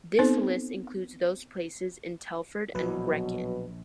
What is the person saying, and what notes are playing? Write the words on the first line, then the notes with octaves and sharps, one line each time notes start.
This list includes those places in Telford and Wrekin.
B3 C4 D#4 A4 C5
A#1 B2 F#3 B4